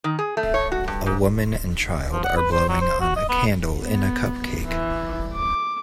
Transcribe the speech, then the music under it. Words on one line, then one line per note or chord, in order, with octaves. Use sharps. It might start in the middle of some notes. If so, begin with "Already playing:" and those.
A woman and child are blowing on a candle in a cupcake.
D#3
G#4
A3
C#5
F#4
G2
G#2
F3
F#5
B4
C5
F#3
C5
F#4
D#5
B3
B3
E3
D6